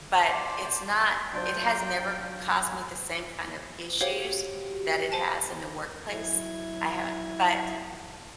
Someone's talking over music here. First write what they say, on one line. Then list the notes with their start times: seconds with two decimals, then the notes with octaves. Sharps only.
but, it's not it has never caused me the same kind of issues that it has in the workplace. I haven't but
0.24 C5 D5
1.33 F#3 D4 F4 C5 D5 G5 A6
4.01 F#4 G4 C5 C#5 F5
5.12 C5 G#5 A5
6.08 F#3 E4 G#6